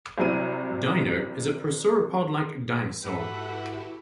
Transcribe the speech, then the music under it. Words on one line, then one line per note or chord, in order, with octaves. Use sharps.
Dino is a prosauropod-like dinosaur.
C2 C3 F#3 E4 D#7
G#2 E4 F#4 G4 A4 B4 E5 F#5